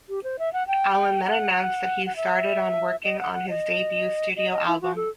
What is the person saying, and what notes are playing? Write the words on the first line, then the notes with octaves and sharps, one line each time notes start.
Allan then announced that he started on working on his debut studio album.
G4
C5
E5
F#5
G5
F#5
F#5
E5
D#5
F#5
F#5
D#5
D#5
D#5
E4
F#4
A4